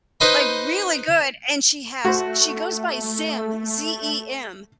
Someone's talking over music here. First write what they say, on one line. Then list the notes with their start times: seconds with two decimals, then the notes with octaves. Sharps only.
like, really good, and she has she goes by Zem, Z-E-M,
0.20 D#4 B4 C5 D#5 B5
2.05 A3 F#4 C5